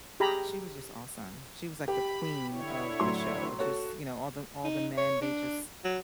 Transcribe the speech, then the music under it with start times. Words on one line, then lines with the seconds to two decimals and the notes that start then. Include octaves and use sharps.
she was just awesome, she was like the queen of the show, just, you know, all the all the men, they just,
0.20 G4 G#4 A#5 B5
1.88 G4 B5
2.51 D3 E4 C#5
3.00 A2 F#3 C6
3.59 F#4 A4 C#5
4.64 D#4
4.98 C#5
5.22 D4
5.85 F#3